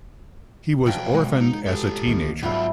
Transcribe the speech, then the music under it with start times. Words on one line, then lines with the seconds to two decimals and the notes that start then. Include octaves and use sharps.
He was orphaned as a teenager.
0.86 B1 B2 F3 F#3 G5
1.15 G#3
1.41 D#4
1.67 G4 A4
2.07 C2 D#3 A#3
2.43 G#2 F#3 G3 A3 B3 E4 F4